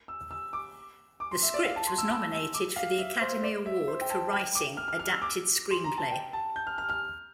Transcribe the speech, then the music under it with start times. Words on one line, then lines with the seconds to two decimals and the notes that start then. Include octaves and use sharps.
The script was nominated for the Academy Award for Writing Adapted Screenplay.
0.08 E6
0.31 E6
0.53 D6
1.20 D6
1.31 C6
1.43 E5
1.54 D5
1.65 F5
1.76 A5
1.87 C6
1.98 E6
2.09 E6
2.32 E6
2.54 D6
2.76 F5
2.98 E5
3.21 C5
3.43 D5
3.66 E5
3.88 C5
4.01 G5
4.10 A5
4.33 G5
4.55 D6
4.77 F6
4.88 F6
4.99 F6
5.11 E6
5.22 D6
5.71 C6
5.84 A#5
5.98 A5
6.11 G5
6.33 A5
6.56 G6
6.67 F6
6.78 F6
6.90 F6